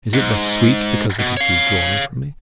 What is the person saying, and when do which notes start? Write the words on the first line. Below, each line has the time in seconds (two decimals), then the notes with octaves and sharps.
Is it less sweet because it is withdrawn from me?
0.13 G#2
1.19 B2
1.37 C#5 F5